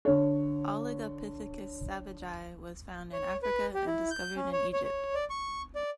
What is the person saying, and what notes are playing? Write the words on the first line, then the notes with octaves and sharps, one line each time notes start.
"Oligopithecus savagei" was found in Africa and discovered in Egypt.
D3 C#5
C#5
B4
G4
E4
G6
C#4
C#5
C#5
C#5
D5
C#6
D5